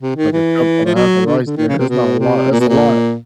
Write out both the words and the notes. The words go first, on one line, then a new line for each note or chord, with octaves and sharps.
like a cup and a half of rice in there, that's not a lot that's a lot,
C3
D#3
E3
F3
F#3
D3
D3
D#3
C#3
C3
B2
C3
A#2
B2
A#2